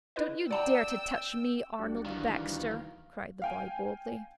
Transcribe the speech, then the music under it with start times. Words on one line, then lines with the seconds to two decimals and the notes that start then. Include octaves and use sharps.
"Don't you dare to touch me, Arnold Baxter!" cried the boy boldly.
0.16 E4 B4 D#5
0.51 D5 F#5 G5 A5 A#5 E6
1.79 B1 G3 D4 F#4
2.06 D#3 E3 F5
2.47 D2
3.42 F5 G5 G#5